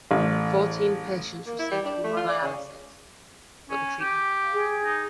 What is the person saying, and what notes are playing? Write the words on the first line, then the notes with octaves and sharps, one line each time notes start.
Fourteen patients received hemodialysis, but the treatment failed.
A1
A#3
E4
G3
D4
A3
F4
D5
C#3
C#4
G4
G#4
D#4